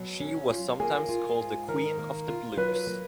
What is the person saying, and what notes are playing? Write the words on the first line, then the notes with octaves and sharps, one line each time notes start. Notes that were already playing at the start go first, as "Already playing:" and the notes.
She was sometimes called The Queen of the Blues.
Already playing: B2 F#3
C#4
F4
A#3 G#4
F4
G#2
D#3 A#4
A#3
F4
F#3 B4
A#3